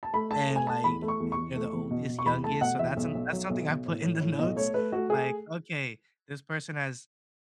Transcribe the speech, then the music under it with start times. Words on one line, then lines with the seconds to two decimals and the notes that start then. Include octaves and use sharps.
and, like, if they're the oldest, youngest, so, that's an that's something I put in the notes, like, "Okay, this person has
0.03 A5
0.14 A3 B5
0.31 A3 A5
0.49 A3
0.56 G#5
0.66 A3 A5
0.84 E2 B5
1.02 A3
1.08 C#6
1.20 E2
1.32 C#6
1.37 E2
1.56 A3
1.73 E2
1.91 B2
2.08 B2
2.19 C#6
2.26 E2 B5
2.44 A3 A5
2.61 B2 F#5
2.79 E2 E5
2.97 B1
3.15 B1
3.33 F#3
3.50 B1
3.68 B1
3.86 A2
4.03 A2
4.20 A2
4.38 B1 D#5
4.56 A3 C#5
4.74 A3 B4
4.92 A3 F#4
5.09 A3 G#4